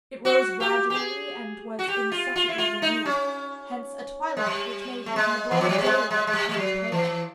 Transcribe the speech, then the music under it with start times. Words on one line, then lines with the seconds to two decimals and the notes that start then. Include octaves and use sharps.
It rose gradually and was incessantly renewed; hence a twilight which made even the broad daylight turn pale.
0.25 F#4
0.60 G4
0.90 G4
0.95 G#4
1.79 F#4
1.88 G4
2.12 F4
2.36 F4
2.49 E4
2.58 F4
2.82 D#4
3.05 C#4
4.37 G#3
4.46 G3
5.06 A3
5.16 G#3
5.51 E3
5.61 F3
5.69 F#3
5.78 G3
5.86 G#3
6.11 G#3
6.27 G#3
6.33 G3
6.49 G3
6.57 F#3
6.92 E3